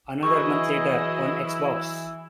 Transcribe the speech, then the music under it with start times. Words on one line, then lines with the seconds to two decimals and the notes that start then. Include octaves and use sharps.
Another month later: on Xbox.
0.23 E3 F#3 E4 G#4 D#5 C#6